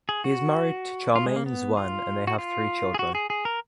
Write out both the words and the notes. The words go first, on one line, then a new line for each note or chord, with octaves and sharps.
He is married to Charmaine Zwane and they have three children.
G#4
F#4
F4
G#3
A#3
B3
F4
F#4
F4
G#4
F#4
G#4
G#4
A#4